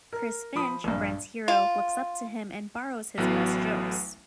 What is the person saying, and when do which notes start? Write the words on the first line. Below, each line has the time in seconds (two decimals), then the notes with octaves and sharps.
Chris Finch, Brent's hero, looks up to him and "borrows" his best jokes.
0.13 A#4
0.55 F3 B5 D#6
0.84 A#1 G2
1.48 F4
3.17 A1 A2 F#3 B3